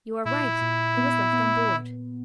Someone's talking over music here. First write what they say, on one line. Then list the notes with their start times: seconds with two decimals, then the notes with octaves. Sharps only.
"You are right; it was left on board."
0.25 A#2 E4
0.61 A#2
0.97 B3
1.33 B3